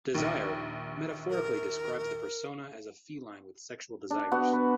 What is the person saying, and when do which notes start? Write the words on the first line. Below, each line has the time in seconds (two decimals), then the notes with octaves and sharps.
"Desire" metaphorically describes the persona as a feline with sexual desires.
0.15 A#1 D#2
1.30 A#4
4.11 D4
4.31 B3 F#4 F#5
4.53 B4